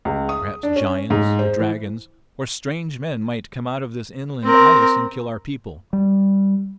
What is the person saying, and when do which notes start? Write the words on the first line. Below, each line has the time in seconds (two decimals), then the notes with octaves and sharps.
Perhaps giants or dragons or strange men might come out of this inland ice and kill our people.
0.05 C#2
0.29 D#6
0.63 D4
0.76 C#4
1.10 G#2
1.39 C5
1.59 E3
4.44 C4 A#4
5.93 G3